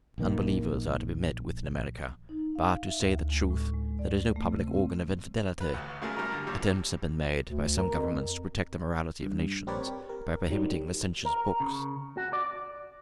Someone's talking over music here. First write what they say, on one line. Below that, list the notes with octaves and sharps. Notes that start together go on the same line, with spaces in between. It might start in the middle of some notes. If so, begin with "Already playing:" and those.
Unbelievers are to be met with in America, but, to say the truth, there is no public organ of infidelity. Attempts have been made by some governments to protect the morality of nations by prohibiting licentious books.
A#1 D#3 A#3
D#4
F5
E5
D2
G#3
A2
G#3
D5
A3
C3
C4
B4
A1 D2
C#3 F#3 G#3 A3 G#4 A#4
F#2 G3 A#4 D5 A#5
D3
G#1 D#2 G3 D6
D2
A#4
F2
G2
C4 G4 A#4 B4 C#5 D5
G4
A#4
D#3 F#3 G3
A#4
C#3
F#4
D5